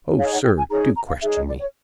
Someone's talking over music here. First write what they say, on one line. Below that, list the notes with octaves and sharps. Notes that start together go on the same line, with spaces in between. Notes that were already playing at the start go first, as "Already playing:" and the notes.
"Oh, sir, do question me!"
D#4 G#4 C#5 F5
F#5
G5
G#5
D#4 G#4 C#5 A#5
A#5
F5
D#4 G#4 C#5 E5
D#5
D5
C#5